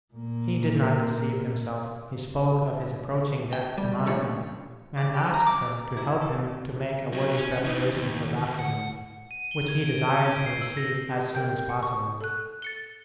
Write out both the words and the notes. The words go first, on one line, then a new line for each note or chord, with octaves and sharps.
He did not deceive himself. He spoke of his approaching death to Monica, and asked her to help him to make a worthy preparation for Baptism, which he desired to receive as soon as possible.
A#2 A#3
G5
G3
F#2 A2 D3 F3 G3 C#5
D5
G4
A#5
D6
E4
A4
B2 F#3
C#4
E3 D#4
D#2
D2
F#5
D#7
G7
G#6
D7
G6
G#6
C7
E6
A#6
G4
A#4 G5 G6
F#5
C#6
A4 F#6
A6 C#7 G7